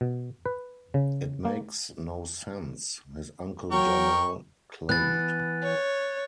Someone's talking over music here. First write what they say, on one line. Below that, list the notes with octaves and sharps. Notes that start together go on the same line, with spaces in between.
"It makes no sense," his uncle Jamal claimed.
B2
B4
C#3
A#3
F#3 A#4 G5 C#6
E3 B3 F#6 A6
C#5